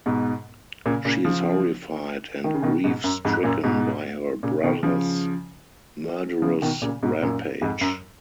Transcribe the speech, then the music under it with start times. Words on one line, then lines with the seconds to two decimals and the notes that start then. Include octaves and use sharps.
She is horrified and grief-stricken by her brothers' murderous rampage.
0.06 G#2 B2
0.86 A#2 C#3
1.05 A#2 C#3
1.25 C#3 F3
2.44 D#3
2.54 C#3
2.63 B2 D#3
2.84 G#2 B2
3.04 F#2
3.25 F2 G#2
3.44 F#2 A#2
3.64 G#2 B2
4.43 A#2 C#3
4.64 B2 D#3
4.83 C#3 F3
6.42 C#3 F3
6.62 B2 D#3
6.82 A#2 C#3
7.03 G#2 B2
7.23 F#2 A#2
7.62 F2 G#2
7.81 F#2